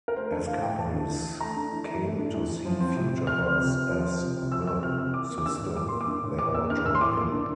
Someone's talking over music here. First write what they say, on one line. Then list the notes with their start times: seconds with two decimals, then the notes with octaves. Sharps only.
As companies came to see Futurebus as "the" system, they all joined in.
0.08 A#4
0.16 A3 C5
0.31 D4 A4
0.47 E3 F5
0.62 E3 G5
0.78 A3 A5
0.93 D4
1.09 E3
1.24 E3
1.40 A3 A#5
1.56 D4
1.72 E3
1.87 E3
2.03 A3
2.18 D4
2.34 E3
2.49 E3
2.65 F3
2.80 C4
2.96 C3
3.12 C3
3.27 F3 F6
3.43 C4
3.58 C3
3.74 C3
3.89 F3
4.05 C4
4.21 C3
4.36 C3
4.52 F3 E6
4.67 C4 E6
4.83 C3 F6
4.98 C3 E6
5.14 E3 D6
5.30 A#3
5.38 D6
5.45 D4 E6
5.61 A2
5.76 E3 D6
5.88 A#3 C6
6.01 D6
6.08 D4
6.23 A2
6.39 E3 D6
6.54 A#3 E6
6.70 D4 F6
6.85 A2 E6
6.95 C6
7.01 E3 D6
7.16 A#3
7.32 D4